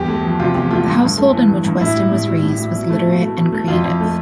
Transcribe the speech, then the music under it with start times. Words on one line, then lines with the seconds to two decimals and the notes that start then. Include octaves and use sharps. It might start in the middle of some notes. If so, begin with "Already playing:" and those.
The household in which Weston was raised was literate and creative.
Already playing: E2 G2 G4
0.08 A3
0.24 F3
0.40 C3 F4
0.55 E2 G4
0.70 A3 F4
0.87 G2
1.02 G2
1.18 A3
1.33 E3
1.49 G2
1.65 G2
1.81 A2 E4
1.96 G3
2.12 A2
2.27 G3
2.43 A2
2.58 G3
2.74 B2
2.90 A3
3.06 B2
3.21 A3
3.37 B2
3.52 A3
3.68 F2 F4
3.84 F2
4.00 A3